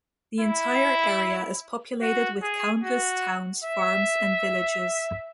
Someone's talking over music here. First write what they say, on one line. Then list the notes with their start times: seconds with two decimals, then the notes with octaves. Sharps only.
The entire area is populated with countless towns, farms, and villages.
0.39 E4
2.01 F#4
2.42 G#4
2.83 F#4
3.63 E5